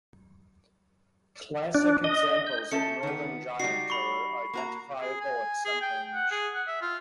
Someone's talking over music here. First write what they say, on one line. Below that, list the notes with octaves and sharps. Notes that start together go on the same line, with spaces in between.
Classic examples of northern giant are identifiable at some range.
D4
D#5
G6
C#4 A4 E5 C#7
D#3 B3
G3 D#4 F#4 C7
B5 C#6
A#3 F#4 A#5
G#4
G#5
G#4
G5
F#5
G#4
F#5
E5
F4